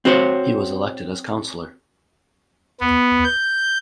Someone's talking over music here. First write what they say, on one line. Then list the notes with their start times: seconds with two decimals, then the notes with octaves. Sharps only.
He was elected as councilor.
0.05 C4 F#4 C5 C#5
2.80 B3
3.24 G6